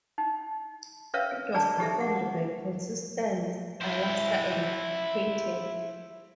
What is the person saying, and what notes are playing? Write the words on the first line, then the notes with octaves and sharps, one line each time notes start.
It was performed by contestants Alaska and Katya.
D#4
C#4 A#4 B4 C#5 E5 F5
D4 G#4 D5 A5 A#5
D#4 G4 A4 E5
F#5
E4 C5